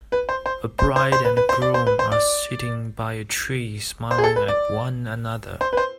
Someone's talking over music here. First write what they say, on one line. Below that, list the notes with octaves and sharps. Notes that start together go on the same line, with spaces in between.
A bride and a groom are sitting by a tree smiling at one another.
B4
C5
C5
C5
C5
C5
B4
B4
C5
D5
C5
B4
C5
D5
C5
G#4
A4
B4
D5
C5
B4
C5